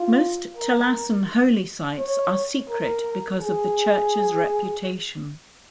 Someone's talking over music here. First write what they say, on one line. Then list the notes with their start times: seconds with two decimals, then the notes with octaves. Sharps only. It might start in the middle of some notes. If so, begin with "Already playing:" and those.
Most Talassan holy sites are secret because of the church's reputation.
Already playing: F4
0.57 A#4
1.98 C#5
2.70 A#4
3.40 G#4